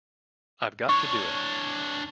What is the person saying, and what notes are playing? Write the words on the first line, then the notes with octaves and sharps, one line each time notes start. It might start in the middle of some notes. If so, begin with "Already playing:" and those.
I've got to do it.
D4 C#5 C#6